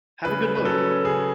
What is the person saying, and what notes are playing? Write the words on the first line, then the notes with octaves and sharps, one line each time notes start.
Have a good look.
C#3 B4
B4
F#3 C#4 A4
C#3 G#4